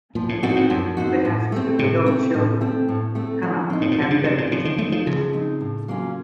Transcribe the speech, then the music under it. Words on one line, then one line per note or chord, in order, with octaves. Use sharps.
They have two adult children, Anna and David.
A#2 F3
A2
A2 C4 D#4 F#4
A2
F#2 F3
C4 D#4 F#4
A2
A3 C4
A2 C3
A3 C4
A2
A3 C4
A2
A3 C4
F3
C4 D#4
A2
A#2
C3 F3
C#3
C3 C4 D#4
A#2
C#3 F3
D#3
A3 C4 D#4
F3
C#3 F3
C4 D#4
A2
F#3 A#3 C#4 F4